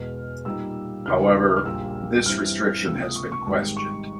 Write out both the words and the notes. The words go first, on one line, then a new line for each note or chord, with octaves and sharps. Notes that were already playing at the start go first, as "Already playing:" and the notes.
However, this restriction has been questioned.
Already playing: E2 B2 G#3 B3 F6
A#2 G3 A#3 D#4 E6
D#2 C#3 E3 G#3 F6
F6
A#1 A#2 G3 E6
G2 E3 G3 C4 E4 F6
C#2 C3 F3 A#3 E6
D#6
C#6
C#6
G#1 G#2 D#3 G3
C#6